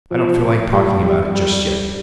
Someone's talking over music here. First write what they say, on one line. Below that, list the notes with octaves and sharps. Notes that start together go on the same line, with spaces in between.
I don't feel like talking about it just yet.
F3
G3
G3
G3